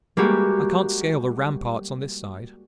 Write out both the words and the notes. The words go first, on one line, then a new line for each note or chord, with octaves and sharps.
I can't scale the ramparts on this side!'
G3 G#3 A#3 F#4 G4